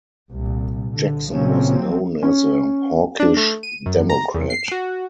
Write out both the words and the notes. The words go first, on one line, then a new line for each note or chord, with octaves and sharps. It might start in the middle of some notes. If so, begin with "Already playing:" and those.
Jackson was known as a hawkish Democrat.
C2 A#2
D3
A#2 C#3 F3 F#3 C4 C#4
C#4
D4
A3
D#7
F#2
A#5
E2
C7
F#4